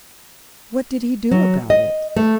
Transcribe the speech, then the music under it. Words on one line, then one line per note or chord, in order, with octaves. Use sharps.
What did He do about it?
F#3
D#5
A3